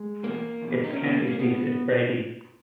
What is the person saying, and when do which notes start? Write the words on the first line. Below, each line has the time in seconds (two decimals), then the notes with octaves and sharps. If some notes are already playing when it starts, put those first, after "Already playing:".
Its county seat is Brady.
Already playing: G#3
0.23 E2 B2 A#3
0.62 E2 B2
0.84 D#4
0.93 C#4
1.01 E2 B2 B3
1.13 A#3
1.27 A#3
1.39 B2 B3